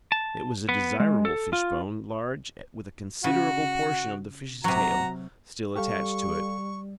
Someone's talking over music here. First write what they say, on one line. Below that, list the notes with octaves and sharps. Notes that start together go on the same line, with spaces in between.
It was a desirable fishbone, large, with a considerable portion of the fish's tail still attached to it.
A5
B3
G#3
A4
F4
C#3 F#4
C3 F#3 F#4 A#5
G3 G4 A4 F5 C#6